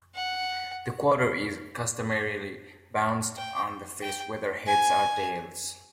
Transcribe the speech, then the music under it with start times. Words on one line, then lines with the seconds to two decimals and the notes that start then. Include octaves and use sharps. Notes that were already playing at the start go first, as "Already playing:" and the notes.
The quarter is customarily bounced on the face whether heads or tails.
0.15 F#5
3.38 G5
4.02 G5
4.67 G#5